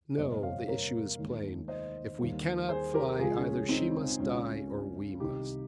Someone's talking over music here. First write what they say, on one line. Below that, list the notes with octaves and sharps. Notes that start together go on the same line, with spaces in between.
No, the issue is plain; if we cannot fly, either she must die or we must.
G1 F2 C3 G3 A#3 C5 D#5
C#5 F5
A#4 C#5
D#2 D#3 G#3
C5 D#5
D#2 D#3 G3 A#3
G#4 C5
G4 A#4
C#2 C#3 F3 G#3 F4 G#4
C#4
C#4
C4 D#4
C#2 C#3 G#3 C#4 F4
C2 C3 D#3 D#4 G4